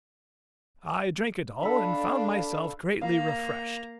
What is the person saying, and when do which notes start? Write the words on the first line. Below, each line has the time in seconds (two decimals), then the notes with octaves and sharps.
I drank it all, and found myself greatly refreshed.
1.63 D4 A4 F5 B5
3.02 A#3 F5 A#5